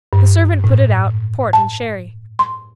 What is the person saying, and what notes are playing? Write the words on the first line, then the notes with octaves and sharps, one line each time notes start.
The servant put it out, port and sherry.
G2
A2
A5
C6